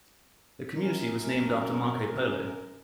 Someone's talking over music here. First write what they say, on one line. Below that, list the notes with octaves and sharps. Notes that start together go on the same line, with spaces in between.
The community was named after Marco Polo.
F#2 A#4